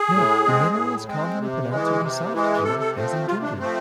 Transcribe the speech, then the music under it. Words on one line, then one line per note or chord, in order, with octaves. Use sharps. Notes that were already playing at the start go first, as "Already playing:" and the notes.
Note: The mineral is commonly pronounced with a soft "g", as in "ginger".
Already playing: G#4
A2
G#3 C4
A2
G#3 C4
C3
E3 G#3
C3
E3 G#3
C3 A4
A4
F3 A3 C4
C3 F4
D4
F3 A3 C4